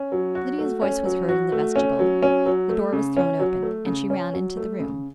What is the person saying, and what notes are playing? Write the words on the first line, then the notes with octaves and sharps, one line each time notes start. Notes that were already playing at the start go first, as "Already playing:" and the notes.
Lydia's voice was heard in the vestibule; the door was thrown open, and she ran into the room.
Already playing: C#4
F#3
F#4
A3
C#4
F#3
F#4
A3
C#4
F#3
C#4
F#3
A3
C#3
C#4
F#3
A3
C#3
C#4
F#3
A3
C#3